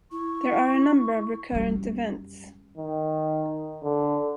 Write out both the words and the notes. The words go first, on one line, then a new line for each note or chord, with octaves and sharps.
There are a number of recurrent events.
E4 C#6
F#2 G3
D#3
D3